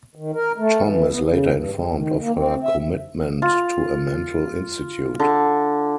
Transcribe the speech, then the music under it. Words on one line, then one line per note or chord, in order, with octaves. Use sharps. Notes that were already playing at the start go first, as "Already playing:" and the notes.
Tom is later informed of her commitment to a mental institute.
D#3
A#4
A3
E3
B3
C#3
G2
G#3
D#3
A#3
C4
E5
F4
D3